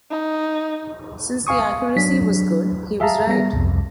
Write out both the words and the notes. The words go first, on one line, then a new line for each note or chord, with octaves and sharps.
Since the accuracy was good, he was right.
D#4
F5 G#5 C#6 D#6
F#3 D4 B6
G#4 E5 F5 A5 A#5
G3 B3 A#6
C2 F2